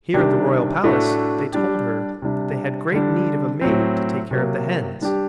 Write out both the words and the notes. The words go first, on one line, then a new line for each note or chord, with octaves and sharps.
Here at the royal palace they told her that they had great need of a maid to take care of the hens.
C3 D#3 G3 D4 G4
A2 A3 D4 F#4
G3 D4 G4
C3 G3 D4
D3 G3 D4
A2 F#3 C4
C3 F#3 A#3
G3 D4 G4